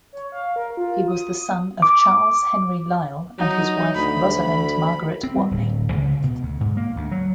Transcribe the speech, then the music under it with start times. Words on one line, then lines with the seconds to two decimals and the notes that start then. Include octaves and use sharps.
He was the son of Charles Henry Lyell and his wife Rosalind Margaret Watney.
0.13 C#5
0.32 F5
0.56 A#4
0.77 F4
1.08 D#6
1.82 D6
3.38 F#3 D#4
3.96 D2 B5
5.23 C4
5.37 G3
5.51 D1
5.93 C#2
6.23 B2
6.43 D2
6.61 G#2
6.77 A#3
6.96 D2
7.12 F#3